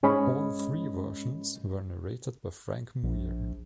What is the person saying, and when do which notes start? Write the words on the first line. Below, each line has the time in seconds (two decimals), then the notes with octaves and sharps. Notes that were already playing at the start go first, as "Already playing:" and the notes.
All three versions were narrated by Frank Muir.
0.03 G#2 G#3 C#4 D#5 B5
3.03 A#1